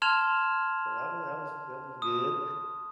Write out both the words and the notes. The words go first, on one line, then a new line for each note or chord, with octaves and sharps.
so that wa that was that was good,
A5 C6 F6 G#6 E7 F7
D#6